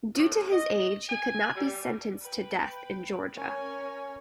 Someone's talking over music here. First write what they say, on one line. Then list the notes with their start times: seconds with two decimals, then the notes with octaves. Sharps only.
Due to his age, he could not be sentenced to death in Georgia.
0.16 A2
0.52 D#5
1.09 G#5
1.55 G3
2.21 B4 G5
3.35 C#4 A#4 C#5 G#5